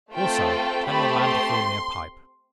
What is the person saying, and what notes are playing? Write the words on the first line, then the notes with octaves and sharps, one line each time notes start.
Also, tell your man to fill me a pipe.
A3 C4 F4 A4 G5
G5
A3 C4 G4 B5
C6